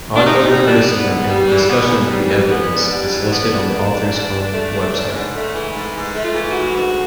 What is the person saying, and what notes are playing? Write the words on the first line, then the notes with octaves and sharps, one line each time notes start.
Ongoing criticism and discussion of the evidence is listed on the authors' own website.
D4
G#2 D#4
G3 D#4
E3 D4
B3
G#2
G3
E3
B3
G#2
G3
E3
B3
G#2 D4
G3
E3
B3
G#2
A3
E3
G#2
G#2
A3
E3
G#2
G#2
A3
E3
G#2
G#2
A3
F4
E3
F#4
G#2
D2